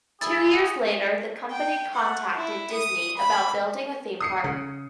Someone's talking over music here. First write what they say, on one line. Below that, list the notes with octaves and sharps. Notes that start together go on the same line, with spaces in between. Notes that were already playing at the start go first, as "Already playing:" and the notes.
Two years later, the company contacted Disney about building a theme park.
E4 G#4 A6
G5
F#5
E4
D#6
B5
D#6 C7 C#7
C#3